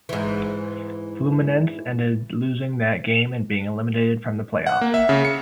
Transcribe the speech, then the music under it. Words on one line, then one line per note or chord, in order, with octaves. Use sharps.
Fluminense ended losing that game and being eliminated from the playoffs.
G#2 E3
F#5
A#3
E5
C#3
C#7